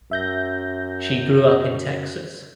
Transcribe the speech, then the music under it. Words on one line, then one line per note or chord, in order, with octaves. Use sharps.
She grew up in Texas.
F#2 E5 G6 A#6